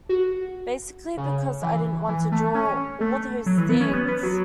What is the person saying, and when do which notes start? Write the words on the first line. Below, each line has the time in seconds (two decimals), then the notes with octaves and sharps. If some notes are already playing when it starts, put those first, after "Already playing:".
Basically because I didn't want to draw all those things!
0.09 F#4
1.17 C#3
1.63 E3
2.09 E3
2.32 A3
2.55 C#4
3.01 A3
3.46 F#3
3.58 E3
3.69 B3
3.81 C#4
3.93 B3
4.08 B3
4.23 F#3